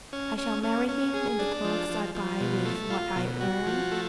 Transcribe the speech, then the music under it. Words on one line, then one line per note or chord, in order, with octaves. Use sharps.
I shall marry him in the clothes I buy with what I earn.
C#4
C#4
C#4
C#4
G#4
D4
F3
F3
F3
B2
A3
F4
B2
F#4
F3
A3